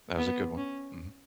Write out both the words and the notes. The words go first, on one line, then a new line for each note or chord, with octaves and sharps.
That was a good one. Mhm.
B3
C#4